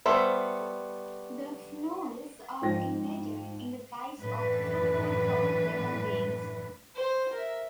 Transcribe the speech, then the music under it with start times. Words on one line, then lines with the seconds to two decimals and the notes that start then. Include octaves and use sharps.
The Fnools are invaders in the guise of two-foot-tall human beings.
0.06 G3 A3 B3 C5 E5
2.62 G#2 F3 G5 A#6
4.18 F#2 A2 E3 D4 B4
6.96 C5
7.33 A#4 E5